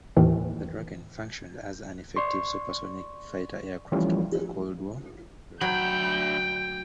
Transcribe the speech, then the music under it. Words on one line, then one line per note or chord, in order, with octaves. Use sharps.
The Draken functioned as an effective supersonic fighter aircraft of the Cold War period.
D#2 A2 D#3 E3
D5 C6 C#6
E3 F3 G3 A3 C#4 F4
D2 F#3 G5 B5 G6